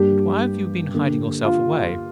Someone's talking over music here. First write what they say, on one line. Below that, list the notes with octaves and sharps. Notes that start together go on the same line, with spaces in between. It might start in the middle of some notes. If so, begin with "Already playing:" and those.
But why have you been hiding yourself away?
Already playing: G2 G3 A#3 D4 G4
D3 A#3 D4
F4